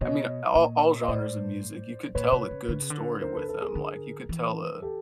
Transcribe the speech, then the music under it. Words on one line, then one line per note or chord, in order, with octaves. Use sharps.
I mean, all all genres of music, you could tell a good story with them, like, you could tell a
B2 C#5 D#5
A#2
D#5
A2 C5 D5
A#2 B4 C#5
C3
C#3
D3
C#3
D3
A#4 C5
A4 B4
A4 B4
G#4 A#4
D3
E3
G4 A4